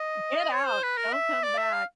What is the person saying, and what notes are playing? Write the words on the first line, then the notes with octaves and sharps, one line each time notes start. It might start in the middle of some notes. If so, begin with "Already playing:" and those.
Get out, don't come back.
Already playing: D#5
C#5
C5
B4
A#4
E5
D5
E5
F5